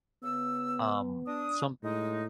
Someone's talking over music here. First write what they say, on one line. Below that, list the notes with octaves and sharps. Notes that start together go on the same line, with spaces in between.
Um, some
C#3 B3 E6
D4 D#6
A2 G#3 D#4